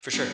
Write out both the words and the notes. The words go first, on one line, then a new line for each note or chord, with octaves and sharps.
For sure.
G3 B3 D4